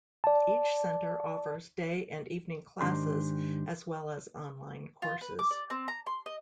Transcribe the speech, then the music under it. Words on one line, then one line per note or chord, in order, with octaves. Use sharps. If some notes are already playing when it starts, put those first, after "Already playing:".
Each center offers day and evening classes as well as online courses.
D5 A5
G#2 D#3 D4 G4 C6
F4
B4
D6
D5
C4
A#5
C6
D#5